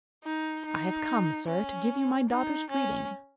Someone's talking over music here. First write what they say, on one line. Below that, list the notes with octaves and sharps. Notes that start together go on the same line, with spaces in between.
'I have come, sir, to give you my daughter's greeting.
D#4
D#4
C#4
D#4
C#4